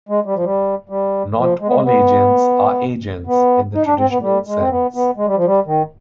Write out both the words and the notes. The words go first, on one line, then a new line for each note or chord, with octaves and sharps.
Not all agents are agents in the traditional sense.
G#3
G3
F3
G3
G3
F3
G#3
B3
G#3
B3
B3
D#4
D4
C4
B3
G3
G#3
C4
B3
B3
G#3
G3
F3
G3
D#3